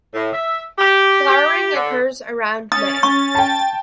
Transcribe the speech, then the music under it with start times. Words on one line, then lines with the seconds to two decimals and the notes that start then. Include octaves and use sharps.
Flowering occurs around May.
0.14 A2
0.32 E5
0.78 G4
1.28 G4
1.74 D3
2.72 C#4 D#6 A6
3.03 C#6
3.35 G5 A5